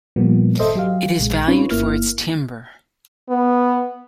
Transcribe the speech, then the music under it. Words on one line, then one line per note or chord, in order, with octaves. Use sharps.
It is valued for its timber.
A#2 F3 G3 A#3 B3
G#1 A4 C5 D#5 E5
F#3 G4 F5
A#1 G#3
C4 C#4 D#4 F4 B4 C#5
G1 A#3 E4 F6
B3